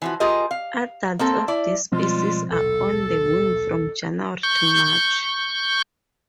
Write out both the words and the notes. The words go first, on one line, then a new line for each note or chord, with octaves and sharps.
Adults of this species are on the wing from January to March.
E3 F3 F#4
F4 G4 G#4 A#4 D#5
F5
A#3 C4 A4
E4 D5
B2 F3 G3 G#3 C4 F4
D#1 B1 A4
C#6 G6